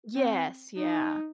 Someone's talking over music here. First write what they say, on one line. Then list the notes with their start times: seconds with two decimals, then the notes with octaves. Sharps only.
Yes, yeah.
0.15 C4
0.77 D#4